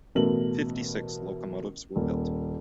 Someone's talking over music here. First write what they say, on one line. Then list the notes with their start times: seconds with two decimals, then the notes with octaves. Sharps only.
Fifty-six locomotives were built.
0.15 A1 B2 A3 B3 A#4 F#7
1.96 D#1 A#3